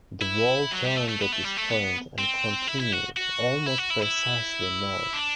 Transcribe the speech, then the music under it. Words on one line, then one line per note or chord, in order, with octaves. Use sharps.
The wall turned at this point and continued almost precisely north.
E4
F#3
G3
A3
A3
B3
A3
G3
A3
B3
C4
E4
E4
F#4
F#4
E4
F#4
E4
E4
D4